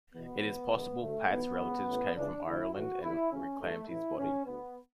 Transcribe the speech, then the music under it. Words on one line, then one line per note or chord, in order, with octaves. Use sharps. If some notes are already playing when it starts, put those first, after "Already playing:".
It is possible Pat's relatives came from Ireland and reclaimed his body.
E2 B2 B3
E2 B2
F#1 E2 D3
D2 D3 A3
B1 A2 E3 B3
C#2 C#3 E3
A1 A2 E3
C#2 C#3 E3 D4
D2 D3 E4
B1 A2 E3 F#4
G1 G2 D3 E4
D2 C#3 E3 C#4
G1 G2 E3 A3
A1 A2 E3 E4
B1 A2 E3 C#4
D2 D3 B3